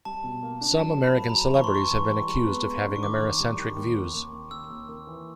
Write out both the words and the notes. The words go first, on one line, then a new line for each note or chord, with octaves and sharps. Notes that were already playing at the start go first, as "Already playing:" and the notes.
Some American celebrities have been accused of having Americentric views.
G3 A5
B2
A#3
D4
F#3 A5
F#3
B5
A#3
B5
A#5
F#3
E3 C#6
C6
E3 C#6
E3
G3
G#3
B3
G#3
D4
C#6
D#3 D6
D#3
G3
D#3
D#2
D#2
D#2
D#2
D#2 E6
D#2
D#2
E3